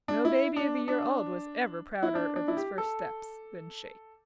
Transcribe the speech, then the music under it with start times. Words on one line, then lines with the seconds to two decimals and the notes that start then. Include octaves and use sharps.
No baby of a year old was ever prouder of his first steps than she.
0.08 D4
0.25 E4
0.56 D4
0.88 D4
2.03 E4
2.15 D4
2.36 D4
2.48 E4
2.57 G4
2.78 A4